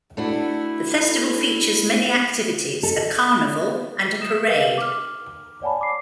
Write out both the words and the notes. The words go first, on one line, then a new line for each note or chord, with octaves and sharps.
The festival features many activities, a carnival, and a parade.
A3 D4 E4 F#4
A4
D#6 E7
G#4 A#4 B4 D#5 F5 F#5
D6 F6
C#5 D5 F#5 G#5 A5 B5
D6 C7